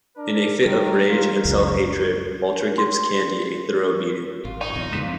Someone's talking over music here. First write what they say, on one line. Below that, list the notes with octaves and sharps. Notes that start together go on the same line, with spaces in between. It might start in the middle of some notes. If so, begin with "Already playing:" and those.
In a fit of rage and self-hatred, Walter gives Candy a thorough beating.
D4 A#4
D#3 G3
F4
F#1 C#2 F#2 A#2
C6
G#1 F4
D#4 C#5
F1 B1 E2
F2 G#2 C#3 B3 B6 E7
F3 A3 C4 D#4